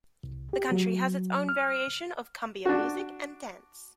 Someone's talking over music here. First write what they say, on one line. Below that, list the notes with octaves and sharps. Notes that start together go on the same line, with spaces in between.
The country has its own variation of cumbia music and dance.
C2
G4
F#3
F6
D4 F#4